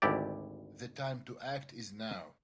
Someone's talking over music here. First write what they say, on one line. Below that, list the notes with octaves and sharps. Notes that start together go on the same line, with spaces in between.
The time to act is now.
G#1 D2 E4 G4 D5